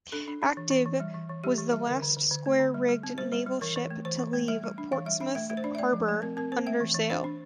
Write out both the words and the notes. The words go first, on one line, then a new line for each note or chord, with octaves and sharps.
"Active" was the last square-rigged naval ship to leave Portsmouth Harbour under sail.
D4 A4
D4
D4
E3
E3
E3
G3
E3
E3
G3 G4
E3
G3
D3 A#4
D3
D3
D3
A3
D3
G3
G3
C4
G3 C5
G3
G3
E3 A#4
E3
A3
E3 C5
E3
A3
G3 E5
G3
D4
E3 F5
G3 E5
D4 E5
A3 E5
A3 E5
C5
D4 D5
E5
A3 D5
F3
A3
C4 A#4
C4 A#4
C4 C5
A3 E5
E3
E3
D4 C5
D4